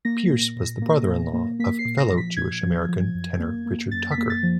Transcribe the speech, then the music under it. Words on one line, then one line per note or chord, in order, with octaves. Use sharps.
Peerce was the brother-in-law of fellow Jewish-American tenor Richard Tucker.
A#3 A#6
A#2
A#2
A#3
A#2
A#3
A#3 B6
C7
A#2
A#6
F3
B6
A#2 G#6
F3
F3
F#2
A#3
A#3
F#2 A6
B6
A#3
A6
F3